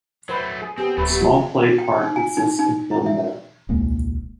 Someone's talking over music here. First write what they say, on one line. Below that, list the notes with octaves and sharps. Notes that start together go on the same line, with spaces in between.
A small play park exists in Hill Meadow.
F#3 A3 B4 C5
G#4
B3 C4 G4 G#4
D1 F#3 G#3 A3 B4
B3 G4
G5
D#4
G#5
D#4
D#4
E4
E5
D#1 C2 G#3 A#3